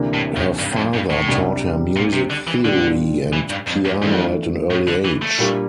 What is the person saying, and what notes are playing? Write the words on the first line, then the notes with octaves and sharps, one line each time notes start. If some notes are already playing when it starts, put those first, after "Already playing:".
Her father taught her music theory and piano at an early age.
Already playing: D2 C3 E3 A#3 D4
A2
A2
G2
F2
G2
A2
C2 C3 G3 D4
A#2
C3
D3
E3
A#2 D3 G3 D4 F4
E3
G2
F2
E2
F2 E3 A3 D4
A2
D3
E3
A3
A#2 G3 A#3 D4 G4